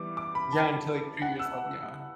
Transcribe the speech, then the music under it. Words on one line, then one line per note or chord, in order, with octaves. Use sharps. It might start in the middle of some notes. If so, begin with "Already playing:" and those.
Yeah, until, like, treat yourself, yeah.
Already playing: E3 G3 B3 D6
D6
B5
A5
F#5
E6